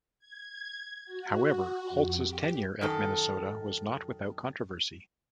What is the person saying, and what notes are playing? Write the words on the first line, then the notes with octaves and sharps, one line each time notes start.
However, Holtz's tenure at Minnesota was not without controversy.
G#6
F#4
F2
G4
F#2 D#3 A4